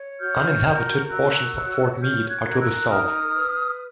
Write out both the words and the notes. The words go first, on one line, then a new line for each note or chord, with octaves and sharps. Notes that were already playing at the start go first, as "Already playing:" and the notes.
Uninhabited portions of Fort Meade are to the south.
Already playing: C#5
F#4 F6 G6
A#4
F#4 E6 F#6
C#5
F#4 F6 G6
F#6 G#6
A#4
E6 F#6
D#4 D#6 F6
B4